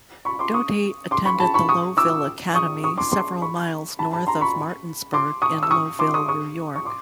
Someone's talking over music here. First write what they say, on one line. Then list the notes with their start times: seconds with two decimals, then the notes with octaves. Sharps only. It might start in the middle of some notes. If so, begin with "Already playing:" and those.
Doty attended the Lowville Academy several miles north of Martinsburg in Lowville, New York.
0.25 B5 C#6
0.39 C6 D6
0.54 C#6 D#6
1.11 C6 D6
1.25 B5 C#6
1.40 A5 B5
1.54 B5 C#6
1.69 C#6 D#6
1.97 D6 E6
2.54 C#6 D#6
2.84 C#6 D#6
2.98 C6 D6
3.12 C6 D6
3.42 B5 C#6
3.99 A5 B5
4.13 A5 B5
4.27 A#5 C6
4.41 B5 C#6
5.13 C6 D6
5.42 C#6 D#6
5.63 E6
5.71 C#6 D#6
5.99 C6 D6
6.14 C#6 D#6
6.28 C#6 D#6
6.76 C#6
6.85 C6 D6